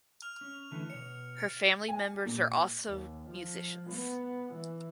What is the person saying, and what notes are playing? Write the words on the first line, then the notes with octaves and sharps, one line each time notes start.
Her family members are also musicians.
F6 F7
C#4
D3 E3 A3
B2 C#5 C#7
A6 C#7 D7
G#5
A#2
D#2
F3
B3
E3